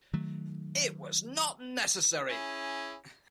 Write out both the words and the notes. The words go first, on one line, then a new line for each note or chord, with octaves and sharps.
It was not necessary.
D#3 F#3 A3
C#4 E4 G#4